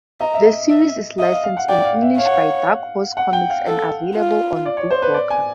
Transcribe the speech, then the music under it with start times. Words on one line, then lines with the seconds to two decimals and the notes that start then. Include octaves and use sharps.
The series is licensed in English by Dark Horse Comics and available on BookWalker.
0.21 D#5 A#5
0.34 E5
0.46 D#5
0.70 E5
1.19 D#5 E5
1.32 F5
1.44 F5
1.57 F#5
1.68 D5 G5
1.85 F5
1.95 F5
2.02 E5
2.18 C#5 F5
2.25 F#5
2.33 F5
3.17 F#5
3.33 G5
3.50 F5
3.67 A4
4.16 F4
4.65 D5
4.77 C#5
4.90 C5
5.02 B4
5.14 D5
5.30 G#5